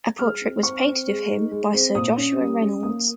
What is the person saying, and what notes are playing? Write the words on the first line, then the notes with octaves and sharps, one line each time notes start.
A portrait was painted of him by Sir Joshua Reynolds.
G#3 F6
C4
C4 C#6
C4
G#3
D#4
G#3
C4
A#2 D#6
C#4
G3
C#4
A#3 D#6